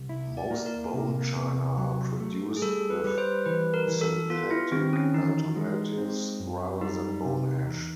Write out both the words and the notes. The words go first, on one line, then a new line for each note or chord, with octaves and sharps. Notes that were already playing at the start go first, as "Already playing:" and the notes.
Most bone china are produced with synthetic alternatives rather than bone ash.
Already playing: C2
E4
D5
A#3
A#4
C3
C3
F#3
A3
G#4
G3 A4
B4
G3 B4
C5
E3 B4
A#4
E3
A4
B3 F4
E4
D#3 C4
C#4
E3 D#4
G#3
C4
F#2
G3 D#4
C3
E2